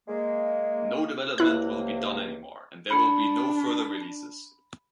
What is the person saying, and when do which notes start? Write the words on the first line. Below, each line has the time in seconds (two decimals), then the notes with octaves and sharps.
No development will be done anymore, and there will be no further releases.
0.09 G#3 A#3
1.38 C#2 C3 A#3 E4 F#6
2.91 D4 B5 C#7